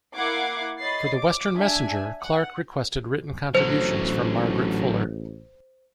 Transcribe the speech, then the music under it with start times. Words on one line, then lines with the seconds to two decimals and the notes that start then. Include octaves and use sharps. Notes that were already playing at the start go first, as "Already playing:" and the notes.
For the "Western Messenger", Clarke requested written contributions from Margaret Fuller.
0.14 A#3 E4 F#5 D6 G#6 C7
0.79 C#5 D#5 B5 A6 C7
1.18 D6
1.56 D4 E5 G#5
2.22 F#5
3.55 A1 D3 F#3 C5